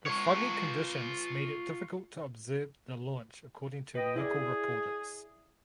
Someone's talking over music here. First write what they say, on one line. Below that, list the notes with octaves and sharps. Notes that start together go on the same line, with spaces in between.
The foggy conditions made it difficult to observe the launch according to local reporters.
F4 C#5
B4 D#5 G5
E4 G#4 D5